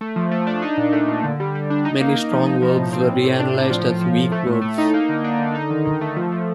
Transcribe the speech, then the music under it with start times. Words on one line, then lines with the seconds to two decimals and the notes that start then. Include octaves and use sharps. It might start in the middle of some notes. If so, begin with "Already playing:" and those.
Many strong verbs were reanalysed as weak verbs.
0.01 A3
0.16 F3
0.31 A3
0.47 D4
0.62 D#4
0.77 A#2
0.92 A3
1.08 A#2
1.23 D3
1.40 G3
1.55 G3
1.70 D4
1.85 D#4
2.01 A#3
2.16 A#3
2.31 F3
2.46 D#4
2.62 F3
2.77 A2
2.93 C4
3.09 A2
3.24 A2
3.39 D4
3.54 A2
3.70 F3
3.85 F3
4.01 F3
4.16 F3
4.32 A3
4.46 A2
4.62 A3
4.78 D#4
4.94 A#3
5.09 D3
5.24 D4
5.39 D3
5.55 D#4
5.70 D#3
5.85 D#3
6.01 A3
6.16 F3
6.32 F3